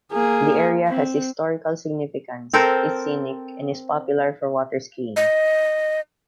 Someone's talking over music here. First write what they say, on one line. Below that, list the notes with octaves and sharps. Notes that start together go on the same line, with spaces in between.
The area has historical significance, is scenic and is popular for water skiing.
A#3 G#4
C4
C4 A4 A#4 C5
D#5